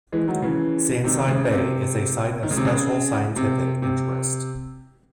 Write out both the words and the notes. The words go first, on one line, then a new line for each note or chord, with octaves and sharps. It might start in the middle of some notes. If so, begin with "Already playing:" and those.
Sandside Bay is a Site of Special Scientific Interest.
E3 G#3
D#3 F#3
C#3 E3
C3 D#3
C#3
C3
D#3
C#3
C3
C#3
C3
C3